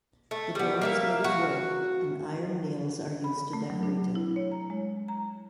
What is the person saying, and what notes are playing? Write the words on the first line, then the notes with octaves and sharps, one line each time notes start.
The door is made of wood and iron nails are used to decorate it.
A3
G3 B3
A#3 E5 F5
F#4
B5
A3
F#3
D4
E4
C#5
A#5
G#3
A#5